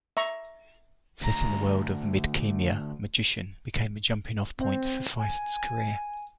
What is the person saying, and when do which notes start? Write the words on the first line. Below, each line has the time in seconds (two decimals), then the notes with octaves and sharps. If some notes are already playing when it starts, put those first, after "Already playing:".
Set in the world of Midkemia, "Magician" became a jumping-off point for Feist's career.
0.17 E5 A#5 C#6
1.21 D2 A#5
4.59 C4
5.18 G#5